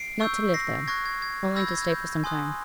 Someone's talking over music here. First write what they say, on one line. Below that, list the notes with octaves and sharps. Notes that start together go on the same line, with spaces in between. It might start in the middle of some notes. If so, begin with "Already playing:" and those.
'Not to live there: only to stay for some time.
Already playing: C7 D7
C#6 E6 G6
A#6 C7
C#6 F#6 G#6 A#6
G#6
G#6
B5 E6 G6 G#6 A#6
G#6 A#6
G#6 A#6
G6
G#5 C6 D#6 F#6